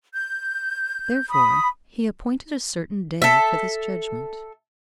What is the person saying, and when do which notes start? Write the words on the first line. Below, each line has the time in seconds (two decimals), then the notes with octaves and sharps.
Therefore he appointed a certain day for this judgment.
0.14 G6
1.30 B5 D#6
3.22 A4 E5